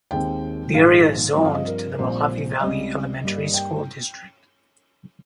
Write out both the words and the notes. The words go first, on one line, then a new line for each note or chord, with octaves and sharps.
The area is zoned to the Mohave Valley Elementary School District.
D#2 D#3 G#3 C4 G5
A#1 G#2 D#3 F5
G2 F3 C4 D#5
F5
D#5
A#4
A#4
A#1 A#2 G3 C4 C5
C#2 C3 G3 D#5
G2 G3 A#3
G5